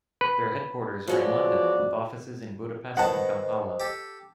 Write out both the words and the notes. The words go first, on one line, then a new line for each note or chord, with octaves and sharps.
Their headquarters are in London, with offices in Budapest and Kampala.
B4
F3 F#3 G#3 B3 F#4 D5
D#3 B3 D#4 C5 D#5 F#5 A5
G4 A4